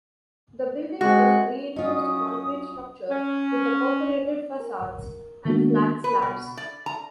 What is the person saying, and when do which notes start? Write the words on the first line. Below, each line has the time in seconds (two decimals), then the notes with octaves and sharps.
The building is a reinforced concrete structure with a perforated facades and flat slabs.
1.01 G#3 C4 F#4
1.77 F#3 C#4 F4 F#4 D#5 D#6
3.10 C#4
4.60 A#4
5.45 D#3 G#3 A#3 B3 D4 F#4
6.04 B4
6.22 B2
6.57 D5
6.86 A#5